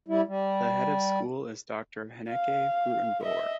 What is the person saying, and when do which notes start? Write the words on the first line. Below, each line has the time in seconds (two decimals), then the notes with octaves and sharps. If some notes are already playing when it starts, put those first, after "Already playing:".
The Head of School is Doctor Hanneke Grootenboer.
0.08 G3 E4
0.27 G3
2.29 F5
3.23 D#5 E5